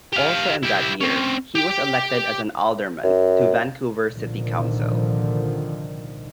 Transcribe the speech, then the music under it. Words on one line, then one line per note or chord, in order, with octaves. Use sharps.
Also in that year, he was elected as an alderman to Vancouver City Council.
G4 F5
E4 G4
C4 C#4
G4 G5
F#2
C2 A#2 D3 D#3 F3